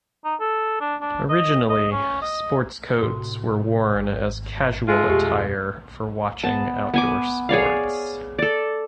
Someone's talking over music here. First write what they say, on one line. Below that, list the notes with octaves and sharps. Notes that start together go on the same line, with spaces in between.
Originally, sports coats were worn as casual attire for watching outdoor sports.
D#4
A4
D4
D4
D#5
D#5
C#4
D#5
A2 C3 F#4 A4
G#1
G#3 A3 F4
F2 B2 G4
B3 A5
B3 G#5 D6
G#4 C#5 D5 F5
A4 D5